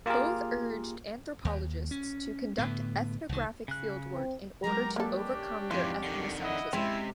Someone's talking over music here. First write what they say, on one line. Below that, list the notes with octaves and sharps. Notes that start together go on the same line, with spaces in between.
Both urged anthropologists to conduct ethnographic fieldwork in order to overcome their ethnocentrism.
A#3 F4 G4 G#4 A#4
D#2
C#4
A2 D3 B3
C2 D#3
C#3 F#6
C4
F#3 G#3 B3 G4 A#4 A#5
A#3 C#4 D4 G4 A4
F2 G#2 E3 F4
D3 D#3
E4 D#5 F#5
C3 G#3 C4 C#4 E4